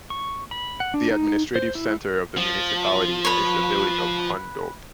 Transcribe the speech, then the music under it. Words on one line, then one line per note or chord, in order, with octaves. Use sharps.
The administrative centre of the municipality is the village of Hundorp.
C#6
B5
F#5
D4
D#4
C5
E4
F3
B4 C#5